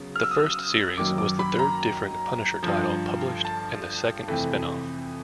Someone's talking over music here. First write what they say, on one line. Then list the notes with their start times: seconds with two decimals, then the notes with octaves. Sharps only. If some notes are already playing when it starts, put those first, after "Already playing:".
The first series was the third different Punisher title published and the second spin-off.
Already playing: C#3 F#3 B3
0.16 F6
0.24 E6
0.31 D#6
0.40 E6
0.98 F#2 D#3 F#3 A#3 D6
1.18 D6
1.39 B5
1.59 A#5
2.63 G2 D3 F3
3.45 A5
4.28 F2 C3 E3 A3